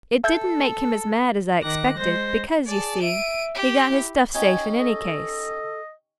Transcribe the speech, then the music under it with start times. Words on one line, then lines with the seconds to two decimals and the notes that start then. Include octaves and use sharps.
It didn't make him as mad as I expected, because, you see, he got his stuff safe in any case.
0.24 A4 E5 G6 G#6
1.62 D#3 D6 F#6 A#6
1.97 G#3 C5 A#6
2.66 G#4 D5 A5
3.02 E5 D7 D#7
3.54 G4
3.89 E4
4.35 C#4 D#4 G4 G#5
4.78 A4 D#5